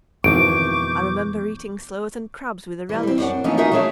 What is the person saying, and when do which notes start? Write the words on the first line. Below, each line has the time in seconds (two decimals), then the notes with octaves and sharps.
I remember eating sloes and crabs with a relish.
0.24 G#1 F2 B2 E3 C#6 D6 G6 D7
2.89 E3 G3
3.03 G3 C4
3.18 F#2 D4 F#5
3.44 E3 F3 A3 A#3 C#4 D#4
3.58 D#4 F4 F#4 G#4 A#4 E5
3.72 F#3 A3 D4 G#4 C#5 E5